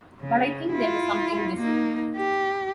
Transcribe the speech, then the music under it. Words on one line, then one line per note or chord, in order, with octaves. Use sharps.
But I think there was something missing.
C#3
E4 F4
A#3 D#4
G4